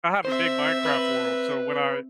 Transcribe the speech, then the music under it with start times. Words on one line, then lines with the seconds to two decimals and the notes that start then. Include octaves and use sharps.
I have a big Minecraft world, so when I
0.25 C4 C5 E5
0.85 B4